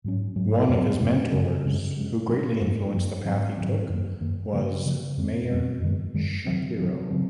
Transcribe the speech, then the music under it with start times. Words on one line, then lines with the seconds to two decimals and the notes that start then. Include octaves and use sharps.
One of his mentors who greatly influenced the path he took was Meyer Schapiro.
0.04 G#2 F#3 C#4
0.36 G#2 F#3 C#4
0.68 F2 C3 F#3
1.00 F2 C3 F#3
1.32 F#2 C#3 G#3 C#4
1.65 F#2 C#3 G#3 C#4
1.97 C3 F3 G#3 C#4
2.28 C3 F3 G#3 C#4
2.60 F#2 F3 A#3
2.92 F#2 F3 A#3
3.24 G#2 D#3 F#3 C4
3.57 G#2 D#3 F#3 C4
3.89 F#2 D#3 A#3
4.21 F#2 D#3 A#3
4.53 C#3 F3 A#3
4.86 C#3 F3 A#3
5.17 F2 D#3 G#3 C4
5.49 F2 D#3 G#3 C4
5.82 F#2 D#3 G#3
6.14 F#2 D#3 G#3
6.45 C3 D#3 F#3 C4
6.78 C3 D#3 F#3 C4
7.10 C#3 F#3 C4